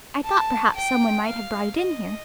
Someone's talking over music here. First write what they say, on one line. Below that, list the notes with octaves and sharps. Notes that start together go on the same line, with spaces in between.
I thought perhaps some one might have brought it in here.
A5
G5
F5
D#5